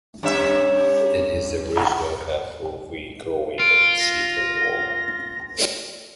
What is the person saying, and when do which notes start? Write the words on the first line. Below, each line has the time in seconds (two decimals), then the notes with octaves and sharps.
It is the regional hub for wheat growing and sheep and wool.
0.23 G2 C#4 E5
3.60 F4 D7
3.99 A#6